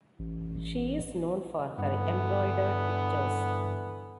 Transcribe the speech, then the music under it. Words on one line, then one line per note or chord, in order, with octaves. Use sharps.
She is known for her embroidered pictures.
A1
G2 D3 E3 B3